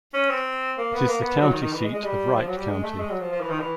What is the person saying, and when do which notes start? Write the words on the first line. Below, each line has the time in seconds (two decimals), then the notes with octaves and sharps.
It is the county seat of Wright County.
0.14 C#4
0.30 C4
0.78 A#3
0.93 B3
1.07 A#3
1.21 B3
1.37 G3
1.41 F#3
1.51 D#3
1.62 D#3
1.73 E3
1.83 G#3
1.94 G#3
2.04 G3
2.36 F3
2.47 F#3
2.57 G3
2.68 G#3
2.84 A3
3.00 G#3
3.10 F#3
3.21 F3
3.32 F3
3.41 E3
3.50 D#3
3.59 E3